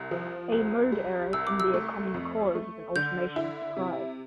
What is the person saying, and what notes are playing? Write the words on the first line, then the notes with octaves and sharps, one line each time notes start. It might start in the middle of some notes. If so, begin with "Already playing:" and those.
A mode error can be a common cause of an automation surprise.
Already playing: C2
F3
C2
G3
C2 E6
D6
E6
A3
F2
A3
D3 G6
E4
C3